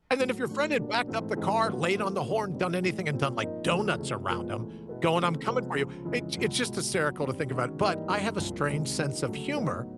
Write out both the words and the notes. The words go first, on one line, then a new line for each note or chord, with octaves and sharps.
And then if your friend had backed up the car, laid on the horn, done anything, and done, like, donuts around him going, "I'm coming for you." It it's just hysterical to think about it, but I have a strange sense of humor
A2 F#3 A#3
A2 F3 A3 D4
B2 G3 A#3 D4
G#2 E3 A3 C4
G#2 E3 G#3 C4
A2 F#3 B3 D4 F4
E3 A3 C4 F4 A#4
F#2 C#3 F#3 B3 D4
B2 G3 C4 D#4
A2 E3 G#3
A#2 G3 C4
F3 A#3 D#4
E2 C#3 F3 A3 C#4
C3 F3 G#3
A#2 F3 G#3 B3
C#2 C#3 E3 A3 C#4
B2 G#3 B3 E4
C#3 E3 A3 C4
C3 F3 G#3 B3
C#2 C#3 F3
F2 C#3 E3 G#3
C#2 B2 F#3
C#2 B2 G#3
C#2 B2 F#3
G2 D#3 G3 C4
D#3 G#3 C#4 F#4
G#2 E3 G3 A#3 D#4
F#2 D#3 G#3
C2 A#2 F3
C#2 C3 D#3 G#3 C4
D3 F3 A#3 D#4 G4
D2 C#3 F#3 A3
A2 F#3 B3 D#4